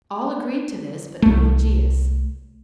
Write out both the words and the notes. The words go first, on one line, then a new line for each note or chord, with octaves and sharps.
All agreed to this but Navigius.
C2 A3